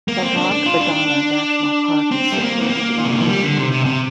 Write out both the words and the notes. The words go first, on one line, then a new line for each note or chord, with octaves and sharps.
The Lag Badana National Park is situated in Lower Juba.
A#3
C4
D4
D4
F4
D4
C4
G3
A#3
C4
A#3
A#2
C3
D3
F3
G3
D3
C3
C3
C3